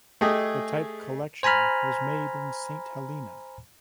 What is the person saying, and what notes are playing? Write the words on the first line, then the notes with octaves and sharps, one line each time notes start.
The type collection was made in Saint Helena.
A3 G4 G#4 D#5
C5 G#5 A#5 B5 F6